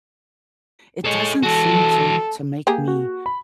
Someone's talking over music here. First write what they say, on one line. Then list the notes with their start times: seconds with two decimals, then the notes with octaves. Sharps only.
it doesn't seem to to make me
1.05 G#3 A4 C#5
1.43 E3 F#4 A4
2.67 A#3 G4 G#4
2.88 F#4
3.26 B5